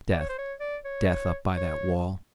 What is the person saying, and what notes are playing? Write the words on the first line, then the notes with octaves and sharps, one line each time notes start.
Death, death up by that wall.
D5
C#5
C5
C#5
D5
C#5
C#5